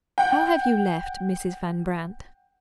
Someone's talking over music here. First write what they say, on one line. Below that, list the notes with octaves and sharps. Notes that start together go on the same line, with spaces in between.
"How have you left Mrs. Van Brandt?"
F#5 G5